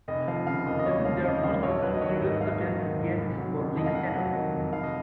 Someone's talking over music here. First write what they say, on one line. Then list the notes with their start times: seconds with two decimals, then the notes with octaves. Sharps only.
This is their most recent serious attempt to gain Football League status.
0.08 F1 D#5
0.28 F3 F5
0.47 C#3 F5
0.66 D#2 D#5
0.79 D#5
0.86 F1 C#5
1.05 F3 F5
1.25 C#3 D#5
1.39 D#5
1.43 D#2 F5
1.63 A#1 C#5
1.82 F#3 B4
1.94 D#5
2.02 D#3 C#5
2.21 G#2 D#5
2.40 A#1 F5
2.59 F#3
2.79 D#3
2.99 G#2
3.17 F1
3.37 F#3
3.56 D#3
3.76 F2 D#5
3.86 F5
3.95 F1 F#5
4.14 F#3
4.33 D#3
4.53 F2
4.72 F1 F5
4.83 D#5